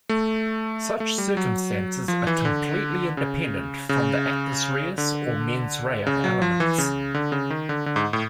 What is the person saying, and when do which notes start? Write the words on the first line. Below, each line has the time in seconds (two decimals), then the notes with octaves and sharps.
Such circumstances are completely independent from the "actus reus" or "mens rea" elements.
0.09 A3
1.00 A3
1.18 G3
1.37 F#3
2.08 F3
2.27 E3
2.45 D3
3.17 C#3
3.89 C#3
4.98 D3
6.07 C#3
6.24 F#3
6.42 F3
6.60 E3
6.78 C#3
7.14 D3
7.32 C#3
7.50 D#3
7.69 D3
7.86 D3
7.96 G#2
8.13 A2